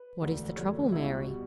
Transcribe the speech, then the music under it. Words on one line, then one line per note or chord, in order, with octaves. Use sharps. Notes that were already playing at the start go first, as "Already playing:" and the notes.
"What is the trouble, Mary?"
Already playing: B4
E1 D2 D3 A3
E1 D2 D3 A3 C#5
C#2 B2 G3 E4
F#4
F#4
B2 G3